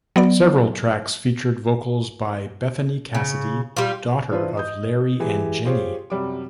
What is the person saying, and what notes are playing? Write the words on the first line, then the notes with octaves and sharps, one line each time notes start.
Several tracks featured vocals by Bethany Cassidy, daughter of Larry and Jenny.
F#3 B3 D5
C#3
G3 F4
E3 D4 F4 B4 C5
D#5 D#6 G6
E3 G#3 G4 G#5
F4 G4 G#4 C5 C#5
F#2 C3 G3 D6